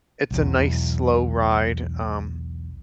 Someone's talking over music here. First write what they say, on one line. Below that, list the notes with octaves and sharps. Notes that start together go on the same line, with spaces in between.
it's a nice slow ride, um,
B1 E2